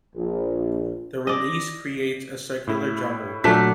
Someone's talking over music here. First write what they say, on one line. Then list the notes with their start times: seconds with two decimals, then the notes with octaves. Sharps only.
The release creates a circular jumble.
0.16 A#1
1.27 D5 D#5
2.67 A2 E4
3.44 A#2 F#3 A3 D4 B6